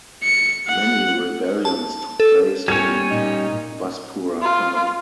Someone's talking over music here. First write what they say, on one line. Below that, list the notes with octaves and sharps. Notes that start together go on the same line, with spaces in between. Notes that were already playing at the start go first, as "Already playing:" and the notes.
Many rebellions took place in Vaspurakan.
C#7
F#5
A5
A4
A#2 G3 C#4 A#4 G#6 C#7
A#2 D#4
F4